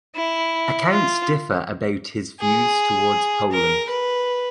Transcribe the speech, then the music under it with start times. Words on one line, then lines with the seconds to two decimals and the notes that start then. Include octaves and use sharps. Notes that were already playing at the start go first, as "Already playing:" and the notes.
Accounts differ about his views towards Poland.
0.15 E4
0.90 F4
2.40 G#4
3.52 A#4
3.89 B4